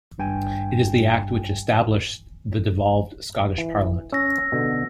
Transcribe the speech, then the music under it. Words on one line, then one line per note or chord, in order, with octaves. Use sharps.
It is the Act which established the devolved Scottish Parliament.
G#1 G2 G5 G#5
E3
C#4 E6 A#6
B2 D3